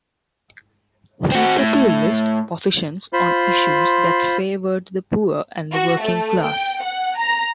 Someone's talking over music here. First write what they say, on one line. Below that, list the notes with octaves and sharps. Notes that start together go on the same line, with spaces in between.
He populist positions on issues that favored the poor and the working class.
C4 F#4
A2
F4 C5 B5 C6
F#4
A3
G5
F#5
A#5